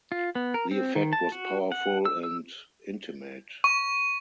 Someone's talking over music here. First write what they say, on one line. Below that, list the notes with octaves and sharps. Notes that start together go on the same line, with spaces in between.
The effect was powerful and intimate.
F4
B3
A#4
C4
D#3
A5
F#4
F#5
E6
E6
C#6